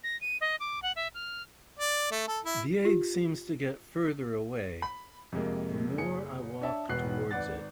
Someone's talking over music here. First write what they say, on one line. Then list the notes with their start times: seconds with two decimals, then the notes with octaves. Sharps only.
The egg seems to get further away the more I walk towards it.
0.04 A#6
0.21 D#7
0.41 D#5
0.60 D6
0.82 F#5
0.96 E5
1.14 F6
1.79 D5
2.12 A3
2.28 A4
2.45 E4
2.85 F4 G4
4.82 B5
5.32 F2 C3 G#3 A#3
5.98 F#1 G#4 C#7
6.61 D4 C#5 E5 A5
6.89 E1 B2 B3 F#6 C7
7.31 G#1 B4 D5 F#5 A6